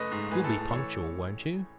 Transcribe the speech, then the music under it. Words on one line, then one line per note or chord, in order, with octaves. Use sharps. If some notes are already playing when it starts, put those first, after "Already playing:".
"You'll be punctual, won't you?"
Already playing: F#1 A3 B4 D#5
G#2
A2 G#4 B4
A4
A2
A4
E3 A4 C#5